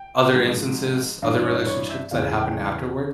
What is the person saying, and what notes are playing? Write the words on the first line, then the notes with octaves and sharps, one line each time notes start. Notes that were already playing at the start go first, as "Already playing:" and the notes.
other instances, other relationships that happened afterward.
Already playing: G5
G#2 F3
G2 E3 F5
C#5
C#5
E5
E2 C#3 E3 F5
G5